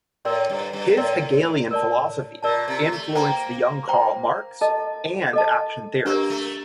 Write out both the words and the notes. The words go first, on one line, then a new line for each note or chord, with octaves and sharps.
His Hegelian philosophy influenced the young Karl Marx and action theorists.
A2 A#4 D5 G5 C6
G2
G2
A2 A#4 D5 G5 C6
A#4 D5 A5
A#2 A#4 D5 A5
C3
A3
A#3 C5 G5 A#5
C5 G5 A#5
A4 D#5 A5
A4 D#5 A5
A#3 D4 G4 A#4
A3